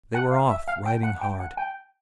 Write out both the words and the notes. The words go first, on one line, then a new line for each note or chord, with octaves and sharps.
They were off, riding hard.
F#5
F5
E5
F5
G5
F#5
G5
F#5
G5